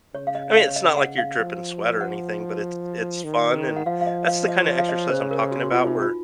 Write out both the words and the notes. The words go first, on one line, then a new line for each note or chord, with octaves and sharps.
I mean, it's not like you're dripping sweat or anything, but it's it's fun, and that's the kinda exercise I'm talking about where
C#3 C#5
F5
D#5
F5
C#5
D#5
F#5
F5
F3
F#5
D#3
F#5
F3 F5
F5
D#5
F5
D#5
C#5
F5
D#5
C#3 C5
A#4
F#4
F#4
C3 F4
F4
D#4
F4